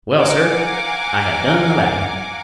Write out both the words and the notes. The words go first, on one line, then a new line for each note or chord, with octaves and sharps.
"Well, sir, I have done the Latin."
F5 F#5 G#5 A#5 D6